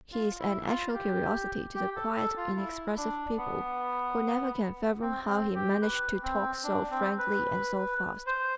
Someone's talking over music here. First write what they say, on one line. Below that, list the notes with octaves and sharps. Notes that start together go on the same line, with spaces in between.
He is an actual curiosity to the quiet, inexpressive people who never can fathom how he manages to talk so frankly and so fast.
F4
E4
F4
G4
G4
A4
A4
F4
E4
D4
B3
C4
C4
G4
B4
C4
D4
C4
B4
C5